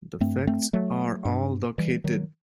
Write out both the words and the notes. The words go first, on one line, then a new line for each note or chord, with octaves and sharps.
The facts are all docketed.
G2 A3 C4
A3 C4
F#3 A3
G2
E3 G3
D#3 F#3